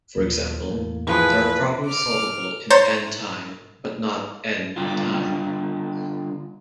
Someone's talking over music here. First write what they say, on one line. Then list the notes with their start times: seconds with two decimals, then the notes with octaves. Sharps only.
For example, there are problems solvable in "n" time but not "n" time.
0.17 D#2 A#2 F3
0.70 E2 A2 A#3
1.07 E3 F3 G#4 B4
1.86 D6 F6
2.70 C5 C#5 A#5 C6 G6 A6
4.76 D3 G3 D4 F4